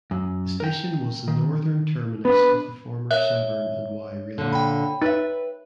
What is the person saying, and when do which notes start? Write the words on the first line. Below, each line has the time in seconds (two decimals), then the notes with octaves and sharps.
The station was the northern terminus of the former Severn and Wye Railway.
0.11 F#2
0.60 A#4 G5
1.28 D#3
2.25 B3 D4 B4
3.11 A#4 C#5 E5 F#6 G7
4.38 A#2 D3
4.52 G5 B5
5.02 D#4 B4 E5